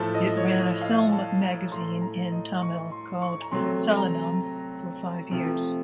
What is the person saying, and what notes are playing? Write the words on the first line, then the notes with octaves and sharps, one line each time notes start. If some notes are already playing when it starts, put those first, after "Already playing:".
It ran a film magazine in Tamil called Salanam for five years.
Already playing: A2 F3 A3 A5
D#5
C#5
D#5
F5
A5
A#5
A2 A3 C6
A#5
D#5
C#6
C6
C#6
A#5
C3 F#3 A3 C6
A#5
C3 F3 A3